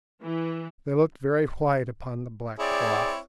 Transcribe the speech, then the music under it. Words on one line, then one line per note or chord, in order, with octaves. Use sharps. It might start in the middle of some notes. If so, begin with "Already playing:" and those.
They looked very white upon the black cloth!
E3
C4 E4 G#4 C#5 D5